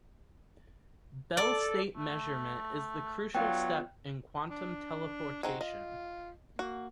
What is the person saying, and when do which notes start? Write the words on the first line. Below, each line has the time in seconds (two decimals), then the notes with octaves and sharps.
Bell-state measurement is the crucial step in quantum teleportation.
1.37 A4 D5
1.97 A3
3.35 F#3 B3 F4 G5
4.50 D4
5.43 C4 D#4 F#4 G#4
5.61 F4 D#5
6.59 A#3 F#4